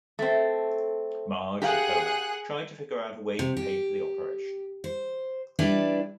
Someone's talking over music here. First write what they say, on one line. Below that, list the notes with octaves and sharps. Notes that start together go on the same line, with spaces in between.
Marge and Homer try to figure out a way to pay for the operation.
A3 C4
G4 G#4 A#4 F5 F#5 F#6
C3
G4
C5
G3 D4 E4 B4 D5